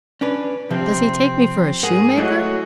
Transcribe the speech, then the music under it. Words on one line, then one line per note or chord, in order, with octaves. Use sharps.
Does he take me for a shoemaker?'
C#4 D4 B4
C3 F3 C4
G#2 G#4 A#4 F#5
F#3 A3 E4 D#5